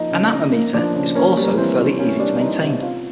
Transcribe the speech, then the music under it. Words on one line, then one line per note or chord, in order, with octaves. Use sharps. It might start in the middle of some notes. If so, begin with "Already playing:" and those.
An atmometer is also fairly easy to maintain.
Already playing: F3 A#3 D#4 D#5
C#3
C#3 D#4 D#5
A#3
F3 D4 D5
C#3
A#3 C#4 C#5
G3
A#4
B4
E3 C4 C5
C3
A#3 C#4 C#5
G3 D4 D5
E3 D#4 D#5
C3 E4 E5
B3 F4 F5